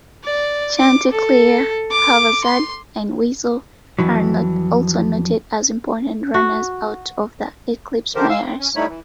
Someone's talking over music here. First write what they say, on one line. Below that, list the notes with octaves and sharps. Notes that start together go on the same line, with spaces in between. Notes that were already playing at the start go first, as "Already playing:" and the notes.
Chanticleer, Haphazard, and Weasel are also noted as important runners out of Eclipse mares.
D5
D6
A4
D6
C6
F2 E3 F#3
F#4
D3 D#3 F3 G4 A#4 C5
F5 E6
C4
C#4
G3 A3 D#4 E4 C#5 B5
E3